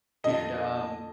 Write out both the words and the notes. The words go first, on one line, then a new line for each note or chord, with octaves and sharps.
and, um,
F2 D3 D#5